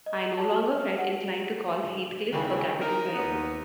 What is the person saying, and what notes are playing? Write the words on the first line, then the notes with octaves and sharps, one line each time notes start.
I no longer felt inclined to call Heathcliff a capital fellow.
D#5
A5
F6
F#5
D#2 C#3 E3 G3
D#4 A#4
D#2 B3